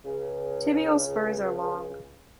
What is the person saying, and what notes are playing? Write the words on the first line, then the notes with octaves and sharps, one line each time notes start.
Tibial spurs are long.
C#2 C#3